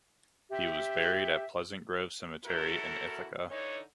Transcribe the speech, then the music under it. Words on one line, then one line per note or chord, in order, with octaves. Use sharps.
He was buried at Pleasant Grove Cemetery in Ithaca.
G4 E5
E2 E4 F#4 A4 A#4
D3 E3 D#4 C#5